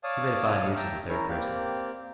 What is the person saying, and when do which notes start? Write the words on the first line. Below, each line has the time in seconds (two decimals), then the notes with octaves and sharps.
He made a fine use of the third person.
0.04 C#5 D5 F5 A5 D#6
0.76 E5 G5 A5 A#5 D6
1.08 C#4 E4 A#4 A#5
1.28 A#3 C4 G4 D5